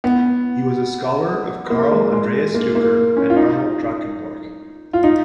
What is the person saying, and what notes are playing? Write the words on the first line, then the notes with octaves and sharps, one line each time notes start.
He was a scholar of Karl Andreas Duker and Arnold Drakenborch.
B3
A#3
G#3
G#3
A#3
A#3
C#4
F4
D#4
F4
D#4